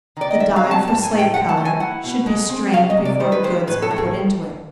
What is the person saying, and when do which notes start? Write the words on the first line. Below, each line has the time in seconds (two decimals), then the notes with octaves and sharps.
The dye for slate color should be strained before the goods are put into it.
0.17 D#3 D5
0.31 D#5
0.40 G3 E5
0.56 F5
0.64 C4
0.71 A5
0.87 A2 A5
1.03 G#5
1.11 A2
1.18 G5
1.34 F3 F#5
1.49 A5
1.57 A3
1.65 G#5
1.80 E4 F#5
2.04 B2
2.27 G#3
2.50 C4
2.74 C#4 F5
2.90 D#5
2.98 C3
3.05 D5
3.20 D#3 C5
3.32 B4
3.43 G#3 C5
3.67 A2 B4
3.82 A4
3.91 A2
3.98 G#4